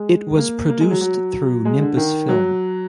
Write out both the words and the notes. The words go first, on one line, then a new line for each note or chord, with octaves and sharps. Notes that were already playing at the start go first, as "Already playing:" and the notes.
It was produced through Nimbus Film.
Already playing: G#3
A#3
A#3
G#3
F#3
F#3
G#3
D3
D#3
F#3